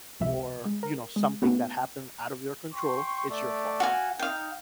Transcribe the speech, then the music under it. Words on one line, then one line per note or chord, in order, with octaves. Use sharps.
or, you know, something that happened out of your control, is your fault.
G#1 C#2 C3 F3 E5
G#3
A#4
G#3
A3 B3 C#4 D#4 F#4 B4
G5 C6 C#6
A3 D5
F#4 F5 G#5
D#4 F5 G5